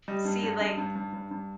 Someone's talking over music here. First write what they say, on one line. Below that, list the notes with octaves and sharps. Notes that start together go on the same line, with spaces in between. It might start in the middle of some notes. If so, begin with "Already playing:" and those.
see, like
G3 D#5
G2
G2
G2
G2
G2
G2
G2